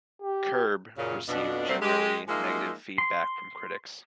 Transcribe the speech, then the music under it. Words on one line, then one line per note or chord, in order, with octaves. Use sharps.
"Curb" received generally negative feedback from critics.
G4
F#2 A#2 C#3
F2 B2 D4
C3 F#3 G3 A3 C4
G#3 G4
F3 G#3 A#3 D#4 C5 E5
C6